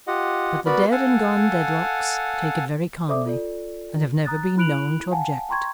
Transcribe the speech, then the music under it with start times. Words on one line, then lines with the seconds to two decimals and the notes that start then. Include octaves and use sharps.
But the dead-and-gone Dedlocks take it very calmly and have never been known to object.
0.07 F4 G4 D#5 F#5
0.66 B3 F#4 A#4 B4 D5 B5
0.91 A4 F5 F#5 G#5 A5
3.08 A4 C5 D5 E5 D6 D#6
3.26 F4 A4 D5
4.25 A#5 D#6 F#6 A6
4.57 E4 B5 F#6 D7 F7 F#7
5.11 F5 F#5 G#5 A5
5.49 G5 A#5 C6 C#6 G#6